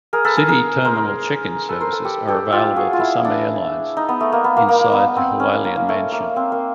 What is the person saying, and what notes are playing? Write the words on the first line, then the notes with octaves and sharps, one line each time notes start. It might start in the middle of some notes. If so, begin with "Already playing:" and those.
City Terminal check-in services are available for some airlines inside the Hualian Mansion.
G#4 A#4
A4 B4
G#4 A#4
G#4 A#4
A#4 C5
A4 B4
A#4 C5
A4 B4
G4 A4
G4 A4
F4 G4
F#4 G#4
F4
E4
D4
D#4
B3
A3
A#3
B3
A#3
A#3
A#3
B3
C4
C#4
A#3
A#3
A#3
A3
A#3
C4
A#3